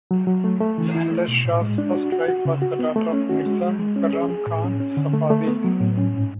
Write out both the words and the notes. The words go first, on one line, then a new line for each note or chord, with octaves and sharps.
Jahandar Shah's first wife was the daughter of Mirza Mukarram Khan Safavi.
F#3
F#3
A3
A3
E3
E4
A3
B2
A2
G#3
D4
F#4
F#4
F#4
C#3
F#4
B3
A3
C#4
F#4
G#3
G#3
G#3
C#4
G#4
G#4
A2
C#4
C#4
D3
A3
A3
B3
F#3
A2
C#4
G#2